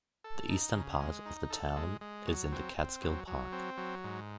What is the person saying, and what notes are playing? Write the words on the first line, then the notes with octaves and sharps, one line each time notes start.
The eastern part of the town is in the Catskill Park.
A4
D#4
C#3
G#3
D#4
A4
G#3
G#3
F#3
C4
C4
F#3
F#3
C4
F#3
G#2